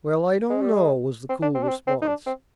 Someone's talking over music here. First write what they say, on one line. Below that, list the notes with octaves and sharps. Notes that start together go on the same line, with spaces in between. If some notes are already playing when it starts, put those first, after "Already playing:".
"Well, I don't know," was the cool response.
G#3
G3
G#3
C4
D4
C4
D4
C4
C4
D#4
D4
C4